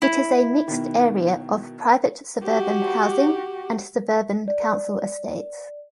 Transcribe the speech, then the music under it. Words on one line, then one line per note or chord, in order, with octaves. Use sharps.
It is a mixed area of private suburban housing and suburban council estates.
E4
B2 D#3
F#4 G4
D5